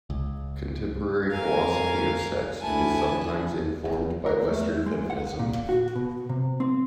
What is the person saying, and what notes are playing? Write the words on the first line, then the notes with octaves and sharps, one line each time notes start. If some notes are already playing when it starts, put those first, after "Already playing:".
Contemporary philosophy of sex is sometimes informed by Western feminism.
C#2
F2 A#4 F5 G#5
D2 E4 B4 G#5 A5
A#4
A3
E4
G#3
F#5
A#2
F#4
B2
C3
C4